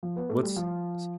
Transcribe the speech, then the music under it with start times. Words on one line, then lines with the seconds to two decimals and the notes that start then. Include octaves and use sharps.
What's s
0.03 F3
0.16 B3
0.29 A3
0.43 G3
0.56 F3